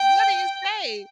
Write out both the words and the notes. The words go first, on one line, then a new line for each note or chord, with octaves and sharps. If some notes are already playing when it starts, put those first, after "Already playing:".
what do you say?
Already playing: G5